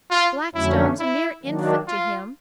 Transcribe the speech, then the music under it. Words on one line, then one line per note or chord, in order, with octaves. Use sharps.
Blackstone's a mere infant to him.
F4
F2 D3 F#3 A3 C#4 E4
E4
D#3 F#3 A#3 D4
F4